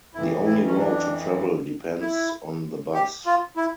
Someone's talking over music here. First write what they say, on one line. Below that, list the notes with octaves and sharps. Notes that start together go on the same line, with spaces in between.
The only road to travel depends on the bus.
F2 E3 E4
E4
C#4
D4
E4
G4
F4
E4